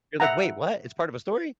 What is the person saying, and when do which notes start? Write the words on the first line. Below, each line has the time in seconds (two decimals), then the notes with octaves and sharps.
You're like, "Wait, what? It's part of a story?
0.20 E5 F#5 A#5